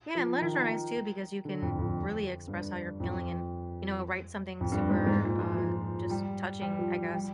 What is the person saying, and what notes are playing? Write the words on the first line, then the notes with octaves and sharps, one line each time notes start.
Yeah, and letters are nice too because you can really express how you're feeling and, you know, write something super, uh, just touching, I guess,
F3
D#3
D3
F2
F2
G2
F2
F2
G2
G#2
G#2
A#2
F3
F3
G3
G3
F3
F3
G3